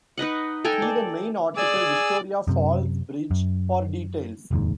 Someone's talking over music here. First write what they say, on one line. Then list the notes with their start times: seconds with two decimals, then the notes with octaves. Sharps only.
See the main article Victoria Falls Bridge for details.
0.18 D#4 B4 D#5 F#5
0.65 A4 G5 G#5 A#5
0.82 D5
1.57 G#4 D5 G#5 E6
2.47 F#2 C3
3.31 F#2
4.51 F1 D#2 G#2